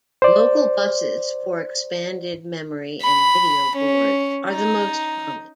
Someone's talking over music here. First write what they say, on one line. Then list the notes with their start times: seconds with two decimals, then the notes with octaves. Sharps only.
Local buses for expanded memory and video boards are the most common.
0.22 C5 D5
3.02 B5
3.76 C#4
4.51 D#4